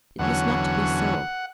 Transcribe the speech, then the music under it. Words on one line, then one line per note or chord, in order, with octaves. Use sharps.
It used not to be so.
E2 D3 F#3 C#4 F#5